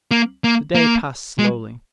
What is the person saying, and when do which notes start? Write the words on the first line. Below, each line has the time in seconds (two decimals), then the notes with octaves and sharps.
The day passed slowly.
0.11 A#3
0.44 A#3
0.75 A#3
1.39 G#3